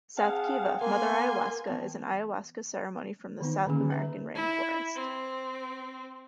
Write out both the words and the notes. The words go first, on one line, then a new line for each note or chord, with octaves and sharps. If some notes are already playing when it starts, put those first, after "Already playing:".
"South Kiva, 'Mother Ayahuasca" is an Ayahuasca ceremony from the South American rainforest.
C4 G#4 F5 F#5 A5
A#3 B3 A#4 G#5 C6
E3 B3 A5
D#3 E3 B3 D#4
D3 D#3 A#3 C#4 G#4
B4 E5 A#5
E4
C4